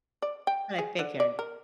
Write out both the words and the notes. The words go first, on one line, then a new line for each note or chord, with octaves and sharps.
I figure.
D5
G5
G#4
D3
D5
A#4